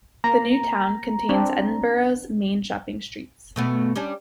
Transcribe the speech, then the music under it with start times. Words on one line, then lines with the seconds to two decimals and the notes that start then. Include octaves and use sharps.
The New Town contains Edinburgh's main shopping streets.
0.24 A#3 A#5
1.29 C4 D4
3.56 B2 A3 B3
3.96 G3 C#4 D4